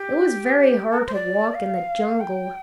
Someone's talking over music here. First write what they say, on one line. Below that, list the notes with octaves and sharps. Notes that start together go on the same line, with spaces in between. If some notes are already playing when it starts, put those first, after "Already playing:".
It was very hard to walk in the jungle.
Already playing: G4
A4
A#4
C5
D5
F5
G5